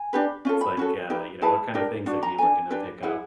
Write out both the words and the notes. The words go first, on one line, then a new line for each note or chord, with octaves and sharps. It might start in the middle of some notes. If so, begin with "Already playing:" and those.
It's like, uh, you know, what kind of things are you looking to pick up?
Already playing: G#5
D4 G4 B4
C#4 F4 A4
B5
C#4 F#4 A4
D#4 G4 B4
E4 G#4 B4 A5
D4 G4 A#4
D4 F#4
A#5
D4 F#4 A4 G#5
D4 G4 B4
E4 G#4 B4 F#5